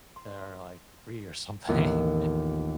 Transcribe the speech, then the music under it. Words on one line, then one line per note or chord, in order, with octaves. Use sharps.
that are, like, free or something,
C6
A1 D#2 B3 F4 G#4